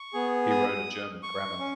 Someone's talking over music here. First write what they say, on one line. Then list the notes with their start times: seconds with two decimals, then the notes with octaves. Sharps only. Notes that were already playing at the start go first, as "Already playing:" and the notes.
He wrote a German grammar.
Already playing: C#6
0.14 B3 G#4
0.50 D#6
1.23 C#6
1.60 C#4